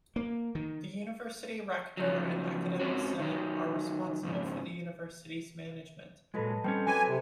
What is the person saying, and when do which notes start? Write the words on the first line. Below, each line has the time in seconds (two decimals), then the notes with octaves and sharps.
The university Rector and Academic Senate are responsible for the university's management.
0.16 A#3
0.55 D#3
1.97 C#3 F3 F#3
2.79 G#2 D#3 C4 C#4 F#4
3.19 D#3 F#3
4.23 F2 G#2 C#3
6.34 A#2 F#3 G#3 A4 B4 D#5
6.64 G3 A#3 C4 C#4
6.87 F#3 B4 G5 G#5 D6
7.08 C3 B4